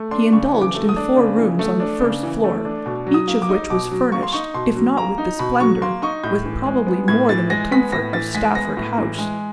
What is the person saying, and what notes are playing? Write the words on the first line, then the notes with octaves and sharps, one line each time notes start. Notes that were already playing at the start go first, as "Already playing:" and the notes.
He indulged in four rooms on the first floor, each of which was furnished, if not with the splendour, with probably more than the comfort of Stafford House.
Already playing: A3
D4 C6
C#3 C#6
E3
D6
A3
D#6
D4
C#3
E3
A3
D4
C#3
E3
A3
D4
B2
F#3
D#6
A#3
D6
D#4
B2 D6
F#3
A#3 C#6
C6
D#4 C#6
B2 C6
F#3
A#3 A#5
D#4
B2 B5
F#3 C#6
A#3 C6
D#4 C#6
A2 G6
E3
G#3
B3
A2 G#6
E3 A6
G#3 A#6
B3 B6
A2 A#6
E3 A6
G#3 B6
B3 A#6
A2
E3
G#3